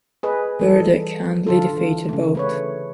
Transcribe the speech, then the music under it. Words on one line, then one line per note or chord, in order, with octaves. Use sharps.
Burdick handily defeated both.
G#4 B4 D#5
E3 G3 A4
D3 F4 A4
E3
C#3 A3
A3 B4 C#5